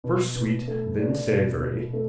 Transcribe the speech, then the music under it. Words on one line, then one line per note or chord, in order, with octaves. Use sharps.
First sweet then savoury.
B2
B2
A3
D4
B2
B2
A3